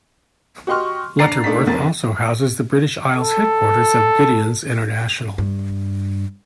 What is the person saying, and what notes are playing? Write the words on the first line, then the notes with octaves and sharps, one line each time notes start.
Lutterworth also houses the British Isles headquarters of Gideons International.
F#4 G4 D#5 C6 C#6 F6
D4 A#5 A6 C7
A#2 A3 D4 D#4 B6
F1 B1 F2 A#4 A6
A4
G2